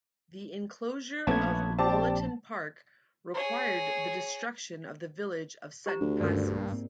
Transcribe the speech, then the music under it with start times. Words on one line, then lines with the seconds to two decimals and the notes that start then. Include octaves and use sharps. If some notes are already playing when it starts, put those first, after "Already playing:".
The enclosure of Wollaton Park required the destruction of the village of Sutton Passeys.
1.27 A#1 A3 B3 C#4 A5 G#6
1.79 C4 G4 D5 A5
3.34 G#4 C#5
5.86 G4 C5 A#5
6.01 D2 D4
6.20 G2 D#3 G#3 C#4 A#4 D5
6.51 B1 A#3
6.72 G#2 A#3 C4